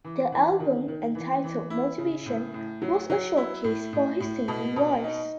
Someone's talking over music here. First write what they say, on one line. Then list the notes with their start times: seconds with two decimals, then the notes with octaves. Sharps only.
The album, entitled "Motivation", was a showcase for his singing voice.
0.05 E3
0.32 E3
0.60 D#3
0.88 D#3
1.15 E3
1.44 E3
1.70 E4
1.98 C#3
2.26 A2
2.54 A2
2.82 F#3
3.10 F#3
3.37 E4
3.64 A2
3.93 A2
4.20 A2
4.48 B2
4.76 B2
5.04 D#4